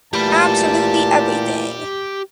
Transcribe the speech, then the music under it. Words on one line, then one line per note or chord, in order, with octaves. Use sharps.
Absolutely everything.
A#2 E3 A3 G4 A5 B5